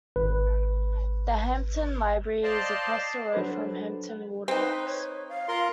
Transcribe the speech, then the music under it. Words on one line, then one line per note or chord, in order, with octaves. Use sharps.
The Hampton library is across the road from Hampton Water Works.
G#1 B4
C5 D5 D#5 F5 A5 C6
F#3 D4 A4 B4 C5
C4 D#4 B4
C#5
F5
F4 A#4 C6